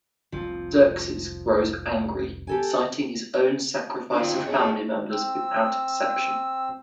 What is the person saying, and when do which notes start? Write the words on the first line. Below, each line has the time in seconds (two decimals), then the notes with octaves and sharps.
Xerxes grows angry, citing his own sacrifice of family members without exception.
0.32 F1 C2 F3 C4
2.47 G4 A4 G#5
4.14 F3 C4 D#4
4.46 G#3 C#5 A5
5.10 C4 E6